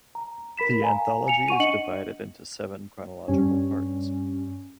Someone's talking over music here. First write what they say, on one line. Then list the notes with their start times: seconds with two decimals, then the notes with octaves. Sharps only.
The anthology is divided into seven chronological parts.
0.15 A#5
0.57 A#4 B5 B6 E7
0.82 F5 G#5 A#5
1.27 G#5 C#7 F7
1.48 F#5 C#6 D#7
1.60 D4 D#5 C#7 F#7
3.28 G2 C#4